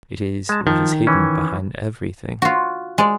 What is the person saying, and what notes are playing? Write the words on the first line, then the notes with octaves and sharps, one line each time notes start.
It is what is hidden behind everything.
G#3 A5
D#3 F3
E3 C#4
F4 F#4
G#3 D5